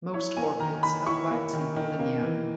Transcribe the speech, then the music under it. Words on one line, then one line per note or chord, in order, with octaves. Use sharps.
Most orchids have waxy pollinia.
E4 C#5
A#3 G#5
D#3 A#5
D#3 B5
E4 C#6
A#3
D#3
D#3
A#3
E3